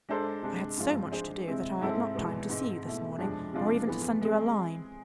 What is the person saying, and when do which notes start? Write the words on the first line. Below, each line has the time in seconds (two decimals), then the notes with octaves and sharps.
I had so much to do that I had not time to see you this morning, nor even to send you a line.
0.09 G#3 D4 A4 C5
0.43 C3 G#3 D4
0.78 G#2 F3 G#3 C4 F4
1.12 G#3 D4 G#4 C5
1.47 C3 G#3 C4 E4
1.81 G#2 G#3 C4 E4 A4
2.15 E2 B2 G#3 B3
2.49 G#2 G#3 C4
2.85 B2 A3 E4
3.18 F2 C3 F3 G#3 D4
3.52 C3 F3 G#3 D4 F4
3.87 A2 E3 B3
4.21 G#3 C4 G#4